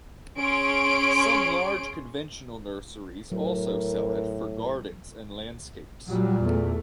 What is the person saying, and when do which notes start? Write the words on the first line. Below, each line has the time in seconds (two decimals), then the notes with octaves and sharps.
Some large conventional nurseries also sell it for gardens and landscapes.
0.38 C#4 G#4 C6 D7
3.32 A2 F#3 A#4
6.09 A#2 F#3 G3
6.44 E2 A3